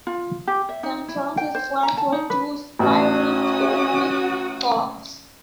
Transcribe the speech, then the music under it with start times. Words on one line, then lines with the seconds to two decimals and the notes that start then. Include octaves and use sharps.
The entrance is flanked by two spiraling Solomonic columns.
0.07 F4
0.47 G4
0.69 E5
0.83 D#4
1.08 E4
1.37 G5
1.55 C5
1.83 A#5
1.97 A5
2.12 D#4
2.30 B4
2.79 A1 C#4 F#4 D#6